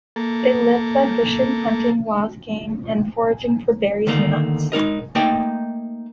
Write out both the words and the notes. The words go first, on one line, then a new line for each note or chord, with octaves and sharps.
They lived by fishing, hunting wild game and foraging for berries and nuts.
A#3 A4
D3 D#3 A3 A#3 D#4
G#3 D#4 A#4 D#5
A3 A#3 D#4 D#5 F5 G5